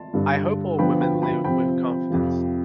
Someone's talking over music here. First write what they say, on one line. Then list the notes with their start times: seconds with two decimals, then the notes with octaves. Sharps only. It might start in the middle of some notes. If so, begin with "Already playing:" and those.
I hope all women live with confidence.
Already playing: A5 C6
0.13 G2 D3 G3 D4
0.78 D3 F3 B3 D4 G5 B5
1.01 G5 B5
1.22 G5 B5
1.44 C3 F3 C4 G5 B5
2.10 F2 C3 F3